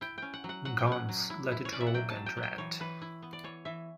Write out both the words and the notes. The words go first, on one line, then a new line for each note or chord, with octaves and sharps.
Guns, Let It Rawk, and Ratt.
E4 G5
C#4 G5
F#5
F#3
F#5
F#3 F#5
G5
C#4 F#5
F#3
E4
E4
C#5
C#4 D5
E5
F#5
F#3 G5
A5
F#3
G5
F#3
G5
E3 C#5
E3 B4
E4
B3
D5
E3 C#5
E3 E5